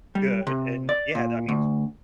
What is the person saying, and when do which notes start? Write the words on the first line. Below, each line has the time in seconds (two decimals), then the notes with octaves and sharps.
good, and, yeah, that means
0.15 G3
0.47 C3
0.89 D5
1.15 A#2
1.49 D2